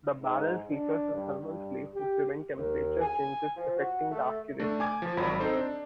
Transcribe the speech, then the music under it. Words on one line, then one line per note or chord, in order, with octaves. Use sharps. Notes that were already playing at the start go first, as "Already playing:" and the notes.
The barrel features a thermal sleeve to prevent temperature changes affecting the accuracy.
G#2
D4
G2
G2
G4
D#2
G#5
F3
F#4
A3
A3 D4
G#5 D6 G#6
F3
G#1 F#3 B5
C4 D#4 A4 C5
D4